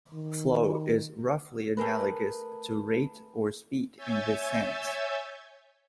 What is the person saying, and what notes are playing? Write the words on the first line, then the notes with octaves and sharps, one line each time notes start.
Flow is roughly analogous to rate or speed in this sense.
D#3
A3 G#4 A#4 B4
C#5 E5 G#5 E6 G6 A6